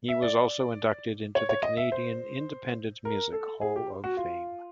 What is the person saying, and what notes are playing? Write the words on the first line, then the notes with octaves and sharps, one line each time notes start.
He was also inducted into the Canadian Independent Music Hall of Fame.
E5
D5
C#5
C#5
D#5
E5
C5
A#4
A4
G#4
G4
F#4
F4